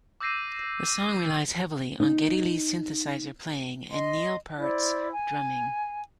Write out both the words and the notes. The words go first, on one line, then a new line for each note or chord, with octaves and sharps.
The song relies heavily on Geddy Lee's synthesizer playing and Neil Peart's drumming.
D6 E6 G6 A#6 C7 D#7
D#4
D#5 C6
E4 C5 D5
G#5